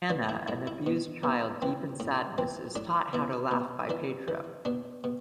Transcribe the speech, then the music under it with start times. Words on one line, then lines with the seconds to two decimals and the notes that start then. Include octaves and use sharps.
Ana, an abused child deep in sadness is taught how to laugh by Pedro.
0.10 E3 D4
0.29 E4
0.48 A2 E4
0.67 E4
0.86 B2
1.23 B2
1.62 E3 C4
2.00 A2
2.38 E3 C4
2.76 A2 D4
3.13 B2 E4
3.51 B2
3.89 E3 D4
4.28 E3
4.65 B2 D4
5.04 B2